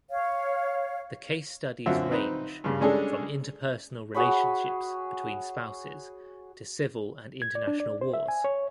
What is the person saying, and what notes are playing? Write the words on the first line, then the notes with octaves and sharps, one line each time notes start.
The case studies range from interpersonal relationships between spouses to civil and international wars.
C#5 F5
F#2 D3 C4 F4 F#4 E5
C4 D#4 B4
G2 C#3
G3 G#3 C#4 D4 G#4 A4
F#4 G#4 C#5 B5
G#6
D5
D4
D5
C5
E5
G#5
C#5